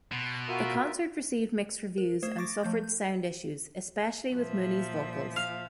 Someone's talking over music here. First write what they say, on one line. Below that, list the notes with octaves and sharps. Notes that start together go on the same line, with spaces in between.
The concert received mixed reviews and suffered sound issues, especially with Mooney's vocals.
B2 C6
F4 F#4 A#4 E5
A#4
A3 C5 D#6 G#6 C7 E7
C#6 D6 A6 A#6 D7
F3 A3 G6
G6
A#2 F3 E5
F5